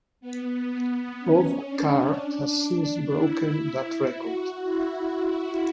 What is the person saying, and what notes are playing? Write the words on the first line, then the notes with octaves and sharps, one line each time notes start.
Bob Carr has since broken that record.
B3
C#4
D4
D4
E4
F#4
E4